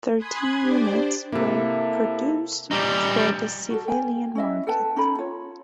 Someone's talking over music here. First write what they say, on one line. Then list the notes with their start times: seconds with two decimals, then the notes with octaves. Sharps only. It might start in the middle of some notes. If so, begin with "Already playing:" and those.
Thirty units were produced for the civilian market.
0.17 G#5 B5 C6 D#6 F#6 G#6
0.60 D4 G4 C5 D5
1.32 C3 A#3 E4 A4
2.71 G3 D#4
3.70 F#4 A4
3.88 G5 G#5
4.35 C#4 E4 D#5 E5
4.67 A4 B4 G5 A5
4.96 C#4 D#4 A4 B5
5.19 F4 C#5